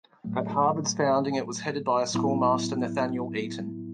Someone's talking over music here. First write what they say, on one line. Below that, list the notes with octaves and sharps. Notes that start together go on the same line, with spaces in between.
At Harvard's founding it was headed by a "schoolmaster", Nathaniel Eaton.
A2 F#3 A3
A2 F#3 B3 E4